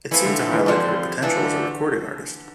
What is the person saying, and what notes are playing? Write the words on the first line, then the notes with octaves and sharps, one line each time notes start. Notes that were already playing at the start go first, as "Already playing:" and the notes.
It seemed to highlight her potential as a recording artist.
E3 F3 A3 E4
D3
D3
E3
D3 F3 G3 C4 F4
E3 F3 A3 D4
D3